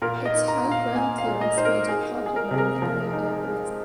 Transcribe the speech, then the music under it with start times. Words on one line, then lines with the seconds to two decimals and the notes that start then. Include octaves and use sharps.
Its high ground clearance made it popular in rural areas.
0.02 A#2 A#4
0.26 D#5
0.33 D#4
0.48 A#5
0.64 A#2
0.71 F5
0.95 A#3 G#5
1.18 F5
1.26 A#2
1.41 D#5
1.57 D#4 C5
1.65 A#4
1.89 D#4 G#4
2.19 G#3
2.26 G#4
2.36 A#4
2.51 C3 G#4
2.58 A#4
2.82 F3
3.13 D#4
3.45 G#3